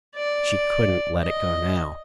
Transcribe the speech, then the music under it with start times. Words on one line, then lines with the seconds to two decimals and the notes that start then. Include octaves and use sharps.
She couldn't let it go now.
0.16 D5
1.22 D#5